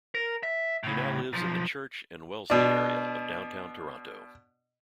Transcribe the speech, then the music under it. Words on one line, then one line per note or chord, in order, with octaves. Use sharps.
He now lives in the Church and Wellesley area of downtown Toronto.
A#4
E5
A2 C#3
B1 F3
B2 D4